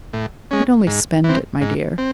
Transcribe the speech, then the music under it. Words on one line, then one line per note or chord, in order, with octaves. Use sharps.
"He'd only spend it, my dear."
A2
G#3 C#4
G#2
E3 C4
G#2
C4